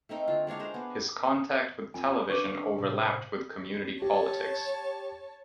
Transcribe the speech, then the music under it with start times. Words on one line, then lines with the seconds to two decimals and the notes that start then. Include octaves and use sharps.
His contact with television overlapped with community politics.
0.09 A3 C4 D#4 A#4
0.28 D3 F4
0.47 G#3 D4 C#5 F5
0.59 D4 G#4 A#4 C5
0.74 B3
1.94 F2 G#5
2.29 D3 B4 F5 C#6 D6
2.78 A2 C3
4.02 G4 C#5 A5